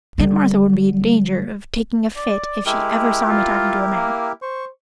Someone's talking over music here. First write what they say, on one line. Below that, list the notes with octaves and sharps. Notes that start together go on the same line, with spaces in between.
Aunt Martha would be in danger of taking a fit if she ever saw me talking to a man.
D3 G3
D5
G#3 E4 G4 A#4
F4
A#3
C5 C#6